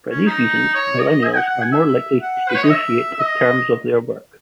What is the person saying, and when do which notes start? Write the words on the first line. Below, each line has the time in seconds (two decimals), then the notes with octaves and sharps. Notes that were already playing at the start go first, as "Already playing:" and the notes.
For these reasons, millennials are more likely to negotiate the terms of their work.
0.10 C#4
0.26 D#4
0.74 C#5
0.99 D#5
1.24 G#5
1.36 F#5
1.49 F#5
1.61 G#5
1.72 E5
2.22 F#5
2.49 B4
2.55 C#5
2.63 D#5
2.70 E5
3.13 E5
3.20 D#5